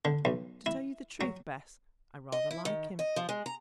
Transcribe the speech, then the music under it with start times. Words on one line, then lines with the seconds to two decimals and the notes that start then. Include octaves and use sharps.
To tell you the truth, Bess, I--rather like him.
0.05 D3
0.25 B1
0.66 E4
1.21 F#3
2.32 D#5
2.51 E4
2.65 D#3
2.99 D#5
3.16 F3
3.29 G#3
3.46 A#5